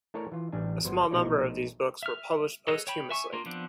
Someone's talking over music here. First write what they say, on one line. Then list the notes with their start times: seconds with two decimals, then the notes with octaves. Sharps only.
A small number of these books were published posthumously.
0.14 A3 E4 A4 A#4 C#5 D5
0.32 E3 F4
0.52 A1 G3 D4 G#5
0.85 G1 F#3 B4 C5
1.11 A#1 B2 A3 D#4 C5 C#5
2.03 E5 F6
2.68 G#4 A4 B4 C#5 D#5
2.87 C#5 G5 B5
3.11 E5 G#5 C#6
3.33 A#3 D4 F4
3.46 F3 B3 C4 D4